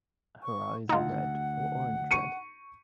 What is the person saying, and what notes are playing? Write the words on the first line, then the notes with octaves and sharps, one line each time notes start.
Her eyes are red or orange-red.
C#6
D2 D#4 F4 F#5
C#6 C#7 D#7